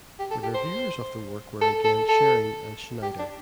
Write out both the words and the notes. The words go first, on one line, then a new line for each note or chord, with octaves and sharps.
The reviewers of the work were again Schering and Schneider.
G4
A4
G4
C5
A4
A4
A4
G4
D4